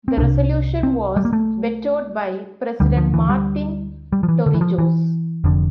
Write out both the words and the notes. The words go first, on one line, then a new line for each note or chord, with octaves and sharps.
The resolution was vetoed by President Martin Torrijos.
C4
C2 C3 D4
C4
G3
A#3
A3
D2 D3 G3
F3
E3
G3
G3
F3
E3
D3
E3
F3
E3
F1 F2 D3